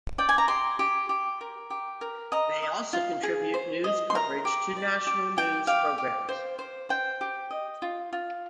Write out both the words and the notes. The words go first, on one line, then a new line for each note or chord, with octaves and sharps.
They also contribute news coverage to national news programmes.
D5 G5
G#5
A#5
G4 C6
G4
G4
A#4
G4
A#4
D#5 A#5
D#5
F4
G#4
C5
D#5
C6
A#4 A#5
G4
D5
G4
G4 G5
G4 F5
G4
C5
C5
C5 G5
G4
D#5
F4
F4